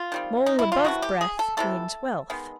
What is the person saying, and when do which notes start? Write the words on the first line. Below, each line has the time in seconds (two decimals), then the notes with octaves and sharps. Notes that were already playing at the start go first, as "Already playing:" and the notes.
Mole above breath Means wealth.
Already playing: F4
0.12 D#3 G3 C4
0.46 D#4
0.59 E4
0.72 F4
0.84 C3 E3 A3 F#4
1.02 G4
1.21 G#4
1.39 A4
1.57 C3 E3 A3 A4
2.30 D#3 G#3 B3